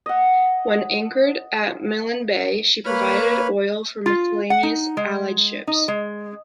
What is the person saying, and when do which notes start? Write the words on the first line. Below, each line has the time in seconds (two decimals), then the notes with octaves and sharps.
When anchored at Milne Bay, she provided oil for miscellaneous Allied ships.
0.06 D#5 F#5
2.85 A#3 B4 C#5 B5 F6
4.06 F4
4.50 F#5
4.63 D#4
4.97 G#3
5.67 D#4
5.88 G#3